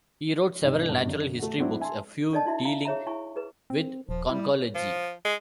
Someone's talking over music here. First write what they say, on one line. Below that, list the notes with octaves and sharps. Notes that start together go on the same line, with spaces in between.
He wrote several natural history books, a few dealing with conchology.
C2 G#2 D#4
G2 B2
F#2 D3
A3 F#4
F#3 A3 C4 D4 E4
E5 G#5 A5 C6
D4 A4 D5 D#5 A5
D#4 E4 F#4 E5
F5 A#5
G#4 C#5 E5 A#5
E4 G#5 C#6
G#4 B4
C4
D#1 F3
G3 E4
F3
G#3